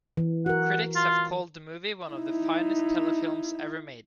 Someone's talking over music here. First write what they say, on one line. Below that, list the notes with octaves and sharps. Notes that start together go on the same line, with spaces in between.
Critics have called the movie one of the finest telefilms ever made.
E3
F#4 A#4 F#5
F4
D#4 E4